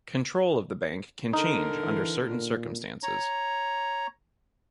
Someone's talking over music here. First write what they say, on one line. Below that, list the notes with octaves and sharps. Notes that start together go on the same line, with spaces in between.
Control of the bank can change under certain circumstances.
D3 D#4 A#4
E3
A#2
C#5 A#5